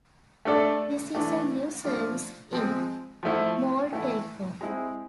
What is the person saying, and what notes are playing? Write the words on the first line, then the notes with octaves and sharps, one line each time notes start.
This is a new service in Moldtelecom.
A3 D4 A4 D5
E3 A3 D4
F3 A3 D4 F4
F3 G#3 C4
F3 A3 E4
E3 A3 E4
G#3 C4 E4 G#4